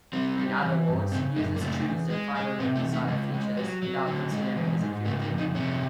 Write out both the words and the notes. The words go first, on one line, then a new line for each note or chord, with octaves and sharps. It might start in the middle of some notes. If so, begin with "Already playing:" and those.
In other words, users choose their primary desire features without considering the security.
G3 C4
G3
E3
G2
C#3 C4
F#2 G#3
A#3
C#3 A3
E2
G#3
G#3
C3 B3
A3
E2
A3
C#3 G#3
G#3
F#3
F#3
D3
G#3
E3
G#2
C#3 A3
A#3
F2
D#4
C3 C#4